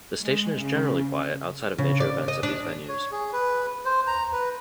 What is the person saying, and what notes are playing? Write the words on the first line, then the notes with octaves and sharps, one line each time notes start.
The station is generally quiet outside of major events at these venues.
G#3
C#3
C#3
D5
D#5
D4
C#5
G#4
B4
C5
A#5
B4